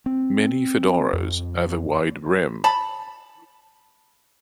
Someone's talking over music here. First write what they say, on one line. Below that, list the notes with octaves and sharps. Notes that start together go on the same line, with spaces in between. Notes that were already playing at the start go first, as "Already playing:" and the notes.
Many fedoras have a wide brim.
C4
F2
A5 B5